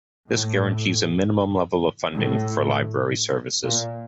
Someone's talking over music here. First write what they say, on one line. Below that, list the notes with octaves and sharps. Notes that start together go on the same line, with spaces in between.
This guarantees a minimum level of funding for Library services.
A2
A2
A#2